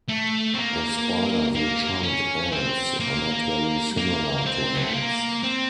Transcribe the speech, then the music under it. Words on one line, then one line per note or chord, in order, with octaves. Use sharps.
The spiders which hunt ants are not very similar to ants.
A3
C4
A#3
A#3
C#4
C4
A#3
A#3
C4
F#3
A3
A#3
C4